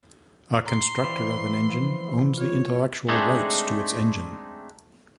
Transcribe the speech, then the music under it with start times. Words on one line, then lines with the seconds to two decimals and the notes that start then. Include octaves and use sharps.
A constructor of an engine owns the intellectual rights to its engine.
0.66 A#5 C6
1.04 E3 C4 D5 F5
1.70 F3
2.38 F4 C#5
3.08 G#3 A3 C4 D4 D#4 G#4